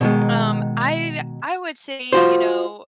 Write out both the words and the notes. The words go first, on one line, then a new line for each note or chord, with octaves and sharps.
um, I w I would say, you know,
B2 D#3 G#3
F4 F#4 C5